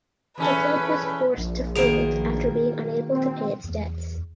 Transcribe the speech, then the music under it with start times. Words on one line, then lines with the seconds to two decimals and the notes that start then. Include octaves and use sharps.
The club was forced to fold after being unable to pay its debts.
0.38 E2 C#4 A4 B4
1.37 A#1
1.76 B2 D#3 A#3 G#4 D7
3.11 C4
3.64 E2